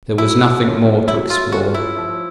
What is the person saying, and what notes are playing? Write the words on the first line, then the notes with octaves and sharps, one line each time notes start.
There was nothing more to explore.
F#3 E4
A3 C#4 F4
F#3 E4
F4
A3 C#4 F4 F#4
E4
F3